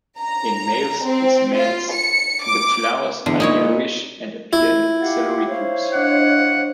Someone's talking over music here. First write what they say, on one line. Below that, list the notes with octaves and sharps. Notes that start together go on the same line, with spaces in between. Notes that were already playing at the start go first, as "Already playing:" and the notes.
In male specimens, the flowers are yellowish and appear in axillary groups.
A#5
C4
F4
C#7
D6
E2 D3
A#2 D#4 E4 C#5
E4 F4
G4 F5 F#5
C5 C#5 F5
D4 D#5 F#5